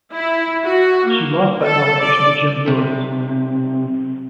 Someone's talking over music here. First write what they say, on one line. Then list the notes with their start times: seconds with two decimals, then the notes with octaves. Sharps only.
She lost that nomination to Jim Lewis.
0.13 E4
0.65 F#4
1.09 A#3
1.63 A4
2.01 D5
2.68 B1 C3